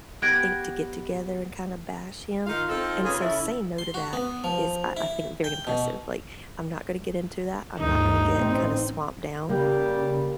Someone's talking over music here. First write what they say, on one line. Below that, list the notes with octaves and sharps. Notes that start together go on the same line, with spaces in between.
think, to get together and kind of bash him, and so saying no to that is, I I think very impressive, like, "I'm not gonna get into that, I'm not gonna get kinda swamped down
B3 G4 F#6 G#6 A#6 D7
D#3 D#4 F4 F5
C4 D#4 A4
C#3 B3 G#4
C#3 E4 A4
C6
F#4
B3
F3
E4
G5
B2
G1 D2 D#4
A1 C4
C#3 G3 A#3 G4